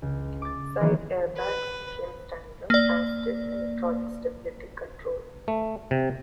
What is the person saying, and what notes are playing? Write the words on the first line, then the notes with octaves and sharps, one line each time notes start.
Side airbags became standard, as did electronic stability control.
C#2
D6 A6
D#3 E3 F#3 A#3 B3
B4
A#3 D5
A3
C3